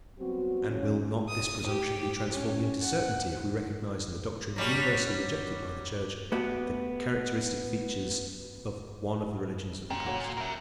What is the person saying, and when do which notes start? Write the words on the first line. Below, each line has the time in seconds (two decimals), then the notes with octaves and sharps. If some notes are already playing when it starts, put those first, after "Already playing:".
And will not this presumption be transformed into certainty if we recognize in the doctrine universally rejected by the Church the characteristic features of one of the religions of the past?
0.19 F#3 G3 B3 C4 F#4
0.70 D#2 A2 C#3 F3 C#4
1.29 D#6
1.66 G4
2.32 C#4
2.82 F#5
4.56 F#3 G3 C#4
6.32 A3 B3 F#4 G4 F#5
9.90 A#2 C#4 G4 G5
10.06 F#4 A4 C#5
10.38 A#4 E5